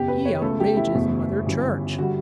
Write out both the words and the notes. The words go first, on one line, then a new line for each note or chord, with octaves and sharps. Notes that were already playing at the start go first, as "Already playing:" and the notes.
"He outrages Mother Church."
Already playing: F#1 E2 B2 G4
B4
C#5
C#2 B2 A3 A4
G4
E4
F#1 E2 B2 A3
G1 F#2 E3 G3
D3 G3 F#4